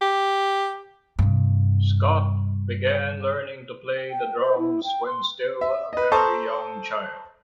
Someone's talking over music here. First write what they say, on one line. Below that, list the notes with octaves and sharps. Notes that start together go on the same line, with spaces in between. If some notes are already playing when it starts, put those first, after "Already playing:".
Scott began learning to play the drums when still a very young child.
G4
G2 C3
G5
C5
E4
G5
C6
E5
B4 D#5
A4 C5 A5 A#5 C#6 D#6